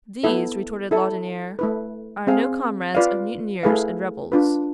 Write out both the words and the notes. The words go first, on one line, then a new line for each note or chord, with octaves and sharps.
"These," retorted Laudonniere, "are no comrades of mutineers and rebels."
B3 E4 A4 E5
E4 A4 E5
A3 E4 B4
C4 G#4 C5 F5
F4 B4 D5 F5
A3 E4 G#4 B4 F5
D4 F4 B4